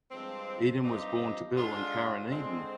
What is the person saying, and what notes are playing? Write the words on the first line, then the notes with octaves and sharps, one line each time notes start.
Eden was born to Bill and Karen Eden.
G2 F3 G#3 C4
G2 F3 C4 D#4 G4
D3 G#3 D4 F4
D3 G#3 C4